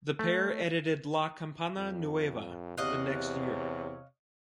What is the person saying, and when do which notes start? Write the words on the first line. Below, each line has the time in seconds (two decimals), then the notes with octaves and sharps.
The pair edited "La Campana Nueva" the next year.
0.19 A3
1.77 F2
2.78 E2 C3 C#5 D#5 F5 F#5